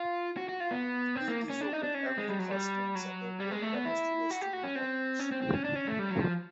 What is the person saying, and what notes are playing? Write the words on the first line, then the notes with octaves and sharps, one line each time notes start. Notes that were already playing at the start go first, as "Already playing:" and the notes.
The Gait is open every Thursday and Saturday, and caters to the student population.
Already playing: F4
F#4
F#4
F4
B3
C4
A#3
C#4
D4
D#4
D4
C#4
C4
G#3
G3
F#3
G3
F#3
G3
G#3
A3
B3
E4
F#4
G4
F#4
C#4
C4
C#4
C4
C4
C#4
D4
C#4
A3
G3
F#3
F3